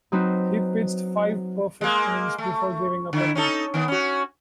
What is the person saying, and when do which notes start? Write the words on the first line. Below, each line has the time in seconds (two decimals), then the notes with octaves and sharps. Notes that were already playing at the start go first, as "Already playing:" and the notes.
He pitched five perfect innings before giving up a hit.
0.12 F#3 C4 D#4 F#4 B4 C5
1.81 G#3 A#3
2.38 A3
3.13 D3 E4
3.35 C#4 D#4 A4
3.74 D#3 B3
3.88 C#4 F#4